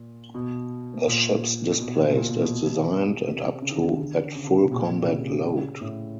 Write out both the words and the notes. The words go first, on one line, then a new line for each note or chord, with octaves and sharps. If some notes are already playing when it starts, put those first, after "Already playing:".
The ships displaced as designed and up to at full combat load.
Already playing: A#2
B2
A#2
B2
A#2
A#2
A#2
B2
C3
C#3
D#3
D3
C#3
D3
C#3
C3
B2
A#2
C3
C#3
A2